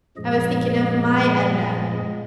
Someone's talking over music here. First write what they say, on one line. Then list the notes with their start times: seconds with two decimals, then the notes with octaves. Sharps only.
I was thinking of MY Edna.
0.17 F#2 A#2 F3 G#3 G#4 D#5